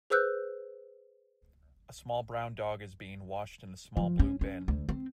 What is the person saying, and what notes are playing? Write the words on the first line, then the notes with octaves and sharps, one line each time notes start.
A small brown dog is being washed in a small blue bin.
G#4 B4 C5 E6 F#6 G6
F3
C#4
C#4
D2
C4